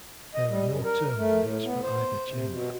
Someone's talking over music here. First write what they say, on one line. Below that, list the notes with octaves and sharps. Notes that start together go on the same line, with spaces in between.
There are no term limits for either chamber.
D#5
G3
F#2
A#4
A3
A2
B3
C5
C3
B2